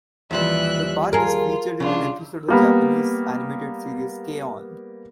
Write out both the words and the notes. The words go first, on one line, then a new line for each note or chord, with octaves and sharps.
The park is featured in an episode of the Japanese animated series "K-On!".
D#2 E3 F3 G3 E5 F#6
F4 G#4 A#4
C2 C#3 D4 F4
G3 A#3 B3